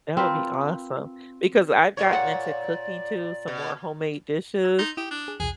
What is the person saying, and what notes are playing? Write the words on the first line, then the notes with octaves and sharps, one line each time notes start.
That would be awesome, because I've gotten into cooking too, some more homemade dishes,
C4 F4 A#4 B4
A#2 C#5 D5
F#5
B2
A#5 E6 F#6
D#4 C6 G6 A6
E4 G4 D#6
D4
G#4
B1 E2 G#4